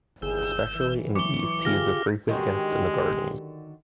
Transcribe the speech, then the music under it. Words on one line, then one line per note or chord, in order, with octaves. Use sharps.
Especially in the east, he is a frequent guest in the gardens.
G1 D#2 E3 G#4 E6 G6
E3
F#3 C#6 D6 G7
D3 F4 G4 G#4 F6 A#6
D3 D#3 F#3 G#3 G4